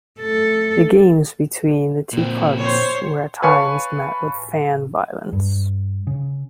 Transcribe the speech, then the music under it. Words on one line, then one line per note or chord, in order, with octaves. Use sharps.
The games between the two clubs were at times met with fan violence.
A3 A4
A#2 C4
C5 C#5
B4 C#5 F5 G#5 A5 C#6
G2
C#3